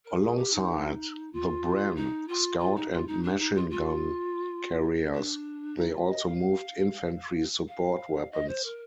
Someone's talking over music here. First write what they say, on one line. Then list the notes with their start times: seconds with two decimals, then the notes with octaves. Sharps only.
Alongside the Bren, Scout and Machine Gun Carriers, they also moved infantry support weapons.
0.05 A#4
0.21 G#4
0.36 G4
0.53 D#4
1.32 F4
1.96 D#4
2.28 F4
2.59 F4
2.76 D#4
2.92 F4
3.07 D#4
3.23 D4
3.39 D#4
3.55 F4
3.70 F4
5.14 D4
5.78 D#4
5.93 F4
6.09 D#5
6.25 F5
7.68 F5
8.31 D#5
8.48 C5
8.64 A#4